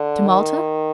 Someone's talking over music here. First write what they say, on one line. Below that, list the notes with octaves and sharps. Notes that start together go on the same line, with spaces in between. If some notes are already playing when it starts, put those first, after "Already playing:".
"To Malta?"
Already playing: D3
D#3